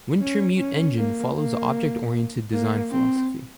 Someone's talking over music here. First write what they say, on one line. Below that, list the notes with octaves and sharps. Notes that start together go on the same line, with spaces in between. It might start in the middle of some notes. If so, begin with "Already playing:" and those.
Wintermute Engine follows the object-oriented design philosophy.
C#4
C#4
A#3
A#3
A#3
C4